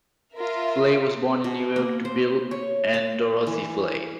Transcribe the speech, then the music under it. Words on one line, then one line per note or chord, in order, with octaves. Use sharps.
Flay was born in New York to Bill and Dorothy Flay.
F4 A#4 E5
B2
A#3
C5
C#5
A5
E3